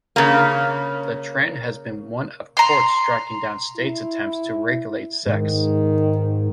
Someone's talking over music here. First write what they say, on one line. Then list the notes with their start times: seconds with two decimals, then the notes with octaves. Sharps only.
The trend has been one of courts striking down states' attempts to regulate sex.
0.16 C#3 A#3
2.57 A#5 C6
3.78 E4
5.26 G#2 D#3